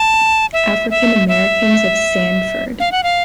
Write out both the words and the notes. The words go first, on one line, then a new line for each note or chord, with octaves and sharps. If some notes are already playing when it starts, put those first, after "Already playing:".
African Americans of Sanford.
Already playing: A5
E5
E5
E5
F5
F#5
F5